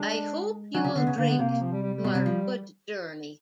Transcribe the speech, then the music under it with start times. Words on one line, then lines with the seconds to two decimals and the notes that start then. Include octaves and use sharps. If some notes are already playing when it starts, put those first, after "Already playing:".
I hope you will drink to our good journey.
Already playing: G#3 D4
0.73 F#3 C#4
0.84 C#3
0.96 D3 B3
1.07 C#3
1.17 D3 A#3
1.29 B3
1.39 C3 A#3
1.50 A#3
1.61 F3
1.72 G3
1.82 G3
1.94 G3
2.04 B2
2.15 C3
2.26 F3